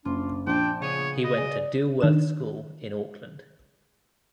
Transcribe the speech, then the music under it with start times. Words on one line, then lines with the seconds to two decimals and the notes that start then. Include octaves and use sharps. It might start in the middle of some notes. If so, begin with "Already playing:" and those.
He went to Dilworth School in Auckland.
0.05 F#1 D4 F4
0.47 A#1 C4 D4 G5 A5
0.82 C#3 B3 G#4 C#5
1.24 B3 D#5
1.37 G#4 D5
2.00 D#3 D4 E7